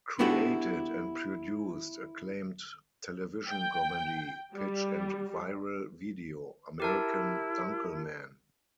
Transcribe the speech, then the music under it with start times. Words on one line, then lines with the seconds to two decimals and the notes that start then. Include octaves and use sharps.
Created and produced acclaimed television comedy pitch and viral video, American Dunkleman.
0.19 B3 D4 E4 F#4 G4 A4
3.48 G5
4.55 G3
6.80 E4 G4 A#4 A5